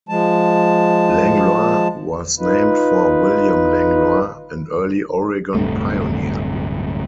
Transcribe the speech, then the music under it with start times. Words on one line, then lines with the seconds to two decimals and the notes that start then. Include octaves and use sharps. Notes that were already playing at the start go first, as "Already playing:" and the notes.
Langlois was named for William Langlois, an early Oregon pioneer.
0.09 F3 G#3 A5
2.39 D#4 F4 B4
5.54 D1 G2 C3 A3